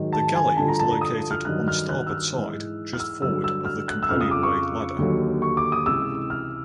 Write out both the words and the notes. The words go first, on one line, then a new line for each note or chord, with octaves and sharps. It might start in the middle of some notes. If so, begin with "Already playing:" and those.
The galley is located on the starboard side just forward of the companionway ladder.
Already playing: G#2 D#3 F#3
A5
G#5
G2 D3 F3 A5
A#5
A5
A#5
D#6
F6
G2 D#3 F#3 F#6
F6
F#6
E6
F6
G#2 E3
F6
E6
G2 D3 F#3 E6
E6
F6
F#6
E6
F2 C#3 F3 F6
D#6
D6
C#6
D#2 D3 F#3
C#6
D6
D#6
C#2 C3 E3 E6
F6